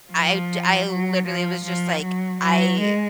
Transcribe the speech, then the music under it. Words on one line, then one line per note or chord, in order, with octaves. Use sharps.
I'd I literally was just like, I
F3
F#3
F3
F3
F#3
F#3
G#3